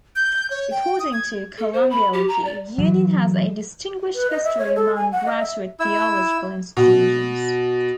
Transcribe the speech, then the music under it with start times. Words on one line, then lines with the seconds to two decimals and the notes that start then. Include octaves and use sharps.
According to Columbia Wiki, Union has a distinguished history among graduate theological institutions.
0.16 G6
0.50 C#5
0.71 G5
1.00 D#6
1.13 G#6
1.58 A4
1.73 C5
1.90 B5
2.13 G4
2.28 A#5
2.44 D5
2.78 E3 F#3
4.15 B4
4.30 D#5
4.44 E5
4.58 C#5
4.76 A4
4.96 G#5
5.12 F#5
5.26 D#5
5.39 E5
5.80 E4 E6
6.77 B2